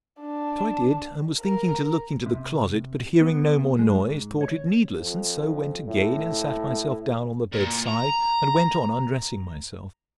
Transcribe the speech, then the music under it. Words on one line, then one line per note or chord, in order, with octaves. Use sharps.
So I did, and was thinking to look into the closet; but, hearing no more noise, thought it needless, and so went again and sat myself down on the bed-side, and went on undressing myself.
D4
A#4
C3
B3
G#3
G#2
C#5
F2
A2
A#2
A#5